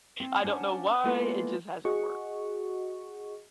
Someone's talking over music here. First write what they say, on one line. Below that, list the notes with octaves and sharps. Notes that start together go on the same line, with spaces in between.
I don't know why, it just hasn't worked.
C4
C#4 D4 C5 F#5
G#3 A#3 B3 E4 F4 A4
F#4 G#4 D#5 F#5 C#6